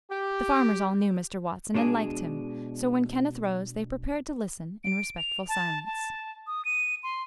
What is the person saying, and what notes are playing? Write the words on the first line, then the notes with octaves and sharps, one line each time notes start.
The farmers all knew Mr. Watson, and liked him; so when Kenneth rose they prepared to listen in respectful silence.
G4
B2 G#3 D4 G#4
D7
F7
A5
A5
D#6
D#7
C6